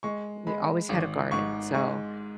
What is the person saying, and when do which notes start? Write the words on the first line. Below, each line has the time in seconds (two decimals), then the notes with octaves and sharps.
We always had a garden, so,
0.03 G#3 C#6
0.47 G#3 B5
0.89 G#1
1.31 G#2 C#6
1.74 G#3 C#6